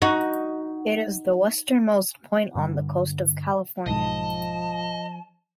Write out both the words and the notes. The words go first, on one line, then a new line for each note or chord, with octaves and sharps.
It is the westernmost point on the coast of California.
D#4 F#4
G2 D3 G3
B1 G#2 F3 D#5 A5